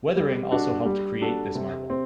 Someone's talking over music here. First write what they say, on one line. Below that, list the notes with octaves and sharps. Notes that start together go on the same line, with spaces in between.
Weathering also helped create this marvel.
G3
D4 F#4 A4
G3
D4 F#4 A4
C3
C4